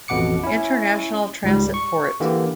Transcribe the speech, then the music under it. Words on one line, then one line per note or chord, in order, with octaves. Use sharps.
International transit port.
A1 F2 B2 F#5 D6 C#7
C#4 E4
C#2 G#2 G3
C#6
D3 E3 A#3 G4